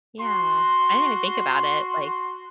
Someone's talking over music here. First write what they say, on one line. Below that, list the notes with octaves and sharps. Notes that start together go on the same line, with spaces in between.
Yeah. I didn't even think about it. Like
F#4 C6